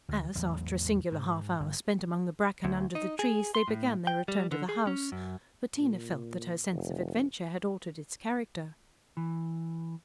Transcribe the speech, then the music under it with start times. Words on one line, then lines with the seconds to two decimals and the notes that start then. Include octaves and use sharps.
As, after a singular half hour spent among the bracken under the trees, they began their return to the house, Bettina felt that her sense of adventure had altered its character.
0.09 D2
0.35 A1 E2 G#2 F#3
1.12 G#2
1.60 G1
2.65 D2
2.95 D#4
3.19 G#4
3.55 C6
3.68 A2
4.07 G5
4.28 G3
4.52 D3
4.69 G#4
4.87 C#4
5.12 F#2
5.77 A#2
6.71 F1
9.17 E3